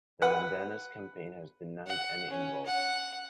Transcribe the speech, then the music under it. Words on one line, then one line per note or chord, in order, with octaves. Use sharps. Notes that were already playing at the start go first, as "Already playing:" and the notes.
The Menendez campaign has denied any involvement.
B4 F#5
F#5
C#4
F#5